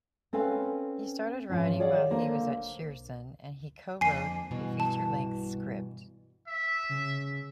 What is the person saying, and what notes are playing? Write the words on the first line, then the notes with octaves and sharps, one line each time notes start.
He started writing while he was at Shearson, and he co-wrote a feature-length script.
C4 C#4 A4 B4 F5
G#2 F3 C#4
G#4 C#5 D5 F5 F#5
D3 A#3 A#4 C5
F2 D3 A#3 G#5 C7
G2 B2 E3
A5
E5
C#3